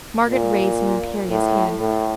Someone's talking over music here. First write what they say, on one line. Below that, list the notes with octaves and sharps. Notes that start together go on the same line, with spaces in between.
Margaret raised an imperious hand.
A#2
A2
A2